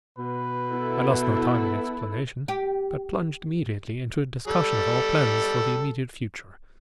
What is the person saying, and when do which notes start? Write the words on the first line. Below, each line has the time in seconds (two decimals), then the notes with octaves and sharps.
I lost no time in explanation, but plunged immediately into a discussion of our plans for the immediate future.
0.18 B2 B4
0.70 B3 E4 A4
2.48 G4
4.48 G3 A4